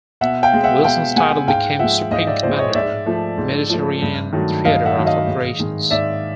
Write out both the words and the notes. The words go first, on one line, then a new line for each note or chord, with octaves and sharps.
Wilson's title became Supreme Commander, Mediterranean Theatre of Operations.
B2 E5 F#5
F5 G5
G#3
E5 F#5
B2 F5 G5
G#3 F#5 G#5
G#2 F5 G5
F3 G#3 E5 F#5
G#2 D#5 F5
D5 E5
F3 G#3 C5 D5
C#5 D#5
G#2 D5 E5
F3 A3
G#2
F3 A3
G2
D#3 F#3 A3
G2 D#5 F5
E5 F#5
D#3 F#3 A3
D#5 F5
G#2
D#3 G#3
G#2 D5 E5